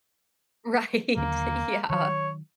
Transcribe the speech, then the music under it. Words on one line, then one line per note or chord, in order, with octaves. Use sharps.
Right, yeah,
D#2 D3 F#3 A#3
D#3 F#3 C#5